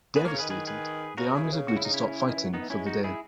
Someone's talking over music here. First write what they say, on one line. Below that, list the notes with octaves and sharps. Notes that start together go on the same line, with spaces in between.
Devastated, the armies agree to stop fighting for the day.
B3 G#4 B4
A#3
A#4 C#5
C#3
D#3 G#4 B4
G#4 B4
G#4 B4
C#3 F#4 A#4
B2
C#3 E4 G#4
B2
C#3
F#4
E4
D#4
C#4 E4
C#3
D#3
E3
F#3
D#3 B3 D#4
E3
F#3 C#4 E4
G#3
D#4 F#4
E4 G#4